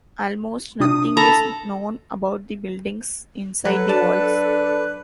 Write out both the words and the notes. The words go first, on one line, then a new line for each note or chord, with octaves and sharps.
Almost nothing is known about the buildings inside the walls.
C3 D4 D#6
A4 A#5 B5
F#3 A4 B4
D4 A5